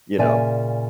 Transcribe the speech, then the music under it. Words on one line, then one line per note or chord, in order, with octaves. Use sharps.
You know?
A#2 C#3 D5 E5 G#5